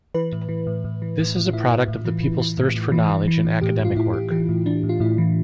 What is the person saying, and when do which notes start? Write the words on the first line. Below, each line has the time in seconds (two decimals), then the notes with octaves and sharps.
This is a product of the people's thirst for knowledge and academic work.
0.14 E3 B4
0.32 A2
0.49 E3
0.67 A2
0.84 A2
1.02 E3
1.19 A2
1.36 A2
1.46 F4
1.53 A2 E4
1.71 A2
1.88 A2
2.05 E3
2.23 E3
2.40 E3
2.57 A2
2.76 A2
2.92 E3
3.09 E3
3.28 E3
3.45 A2
3.61 A2 G4
3.80 A2
3.85 F4
3.96 A2 E4
4.13 A2 G4
4.31 E3 G4
4.49 A2
4.66 E3 D4
4.83 A2
4.89 F4
5.00 A2 E4
5.18 E3